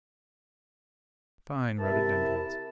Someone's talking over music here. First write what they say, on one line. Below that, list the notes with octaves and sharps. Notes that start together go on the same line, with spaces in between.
Fine rhododendrons.
C3 E4 A#4 A5